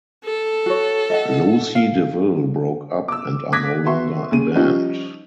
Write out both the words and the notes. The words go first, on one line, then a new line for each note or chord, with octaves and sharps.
Lucy De Ville broke up and are no longer a band.
A4
F#4 C#5
D#5 E5 F#5
F5
D6 E6
D6 D#6 F#6 G#6 A#6 B6
B3 F#4 E5 C6 C#6
D#2 C#4 G#4 D#7
F3 G3 C#4 D#4 F4